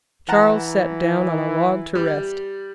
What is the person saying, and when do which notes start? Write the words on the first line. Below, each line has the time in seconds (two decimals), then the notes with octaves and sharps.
Charles sat down on a log to rest.
0.29 E3 F#5 A5 A#5
1.95 G3